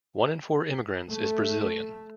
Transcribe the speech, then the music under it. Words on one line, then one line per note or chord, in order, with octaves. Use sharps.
One in four immigrants is Brazilian.
A3